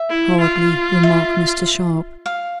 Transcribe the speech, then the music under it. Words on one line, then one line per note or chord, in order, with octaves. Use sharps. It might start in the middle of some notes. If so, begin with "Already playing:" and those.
"Hardly," remarked Mr. Sharp.
Already playing: E5
E4
F4
E5
F5